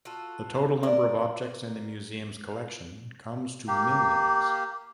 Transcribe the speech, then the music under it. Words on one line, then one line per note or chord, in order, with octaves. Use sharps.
The total number of objects in the museum's collection comes to millions.
F4 F#4 A4
E4 A#4 D5
A#3 G4